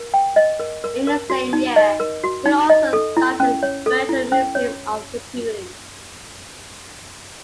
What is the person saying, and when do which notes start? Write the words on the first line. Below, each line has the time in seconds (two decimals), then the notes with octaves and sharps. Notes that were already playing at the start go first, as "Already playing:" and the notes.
In the same year he also started the Virtual Museum of Computing.
Already playing: A#4
0.14 G5
0.36 D#5
0.60 A#4
0.84 A#4
1.07 A#4
1.30 F#4
1.53 D#4
1.76 D#5
2.00 A#4
2.24 F#4
2.46 D#4
2.70 D#5
2.93 A4
3.17 E4
3.40 C#4
3.63 C#5
3.86 A4
4.09 E4
4.32 C#4
4.55 C#5